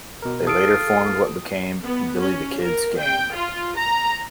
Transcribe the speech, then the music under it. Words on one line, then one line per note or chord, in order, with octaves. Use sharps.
They later formed what became Billy the Kid's gang.
B2 A#4
F4 A4 D#6 D7
B3
C#4
A#4
G5
F4
A#5